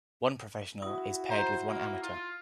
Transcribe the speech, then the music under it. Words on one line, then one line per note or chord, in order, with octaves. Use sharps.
One professional is paired with one amateur.
E4 F#4 D#6
C5 A#5
A#3
F4